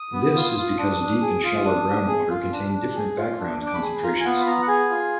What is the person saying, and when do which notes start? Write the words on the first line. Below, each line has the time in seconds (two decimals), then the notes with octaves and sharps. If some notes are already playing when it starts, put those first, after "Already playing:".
This is because deep and shallow groundwater contain different background concentrations.
Already playing: D#6
0.13 B3
0.35 F4
0.57 F4
0.78 D4
1.00 D4
1.21 G#4
1.44 F4
1.65 D4
1.87 D4
2.08 G#4
2.30 F4
2.52 D4
2.73 D4
2.95 G#4
3.17 F4
3.39 D4
3.60 D4
3.66 D6
3.74 B5
3.81 G#4
4.03 F4 A#5
4.20 G#5
4.25 B3 F#5
4.40 B5
4.46 B3 A#5
4.62 F#5
4.68 G#4 G#5
4.90 F4